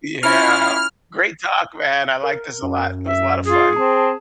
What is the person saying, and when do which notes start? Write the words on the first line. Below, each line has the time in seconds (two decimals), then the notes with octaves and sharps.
Yeah, great talk, man, I like this a lot. It was a lot of fun.
0.23 C#4 E4 F4 F6
2.23 A#4
2.63 F#2
3.07 E5
3.47 F4 G#4
3.76 C4 A5